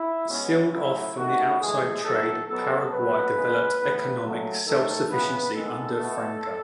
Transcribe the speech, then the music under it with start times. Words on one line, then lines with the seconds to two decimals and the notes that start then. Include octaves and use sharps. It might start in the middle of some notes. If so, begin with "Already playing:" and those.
Sealed off from outside trade, Paraguay developed economic self-sufficiency under Francia.
Already playing: E4
0.28 B2 G#3 B3 C#4
0.72 C#3 F#3 A3 E4
1.16 D#3 A3 F#4
1.60 A2 E3 G#3 G#4
2.04 D#3 F#3 A3 A4
2.47 B2 F#3 B3 A4
2.91 B2 F#3 B3 B4
3.35 C#3 G#3 B3
3.79 A2 E3 B3
4.22 C#3 F#3 A3 A4
4.66 D#3 A3 A4
5.10 C#3 E3 B3 B4
5.54 D#3 G#3 B3 A4
5.97 B2 A3